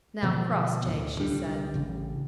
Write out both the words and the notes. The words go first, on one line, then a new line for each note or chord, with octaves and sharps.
"Now, Crossjay," she said.
B2 D3 F3 B3
D2 A2
C2 D3 G3 D4
A1 C#3